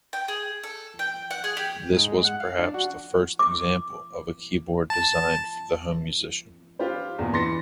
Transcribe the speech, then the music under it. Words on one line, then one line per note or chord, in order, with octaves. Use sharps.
This was perhaps the first example of a keyboard designed for the home musician.
G5
G#4
A4
G5
F#5
G#4
G4
G#2
G#3
F#5
F5
D4
F#4
D6
A5
F4 G4 B4 C5
E2 A#2
E3 C6 A6 A#6 C#7